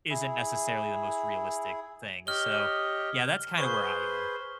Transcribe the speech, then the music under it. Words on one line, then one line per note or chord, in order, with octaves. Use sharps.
isn't necessarily the most realistic thing. So, yeah, that's kind of where I am.
E4 G#4
G4 C#5 D#5 F6 G7
G#4 B4 C5 C#6 G7